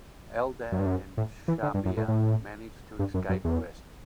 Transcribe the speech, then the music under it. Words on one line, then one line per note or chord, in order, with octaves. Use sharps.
Eldad and Shamir managed to escape arrest.
F#2
G2
F#2
A2
E3
D3
G2
F#2
A2
A2
G2
F#2
F#2
E2